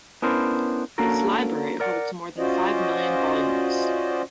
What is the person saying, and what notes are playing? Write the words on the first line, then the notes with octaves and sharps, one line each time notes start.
Its library holds more than five million volumes.
B3 C#4 D4 E4 A#4 C5
A#3 C#4 D4 F#4 A4 A#4
A#4 D5 F#5
C#4 F4 F#4 C5 D5 D#5